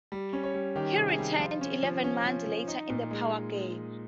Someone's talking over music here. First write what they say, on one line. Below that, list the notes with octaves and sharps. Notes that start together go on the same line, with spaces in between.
He returned eleven months later in "The Power Game".
G3
C#4
C#5
G3
D#3 G4
C3
G#4
G3
F3 F4
C#4
F3
C#4
F3
F3
D#4
A#2
G#3